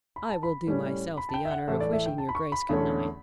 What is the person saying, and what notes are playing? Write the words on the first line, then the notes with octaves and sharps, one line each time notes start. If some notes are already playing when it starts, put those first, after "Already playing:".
I will do myself the honour of wishing your Grace good-night.
B5
A5
B5
A2 G3 C#4
B5
A5
G5
E5
F#5
A2 E3 A3 E5
D5
E5
G5
A5
B5
C#6
B5
E2 D3 A3 C#4